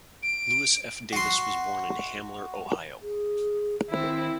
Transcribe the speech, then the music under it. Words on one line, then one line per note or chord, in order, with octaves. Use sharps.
Louis F. Davis was born in Hamler, Ohio.
D7
F#4 C6
G#4
D#3 C4 E4